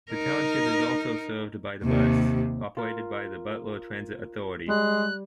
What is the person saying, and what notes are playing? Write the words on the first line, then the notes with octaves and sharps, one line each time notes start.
The township is also served by The Bus, operated by the Butler Transit Authority.
D#4 A#4
D#2 C3
F4 A#4
G3 G#3 F#6